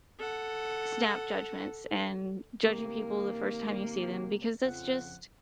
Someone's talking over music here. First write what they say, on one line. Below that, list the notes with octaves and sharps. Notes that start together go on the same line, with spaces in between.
snap judgments, and judging people the first time you see them, because that's just
A4 F#5
C3 D#3 A#3
F2 C#3 F3 F#5